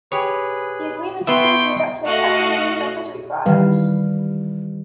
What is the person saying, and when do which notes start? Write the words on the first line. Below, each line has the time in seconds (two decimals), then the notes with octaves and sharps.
The agreement includes a reduction of customs duties on fishery products.
0.12 G4 G#4 B4 C#5
1.27 B3 B4 E5 G5 C6 C#6 D#6
2.05 A3 F#4 D#5 F5 C#6 F#6
3.46 D#3 E3 G3 B4 F5